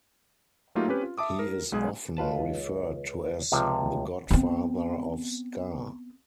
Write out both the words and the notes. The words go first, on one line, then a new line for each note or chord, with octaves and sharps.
He is often referred to as the "Godfather of Ska".
F#3 A3 A#3 D#4 F4 G4
C4 C#4 G4 B4
F4
E5 A5 D6 D#6
A#4
B1 G#3 G#4
C#2 F4 B4 A5
C#2 C3 F3
B3 C4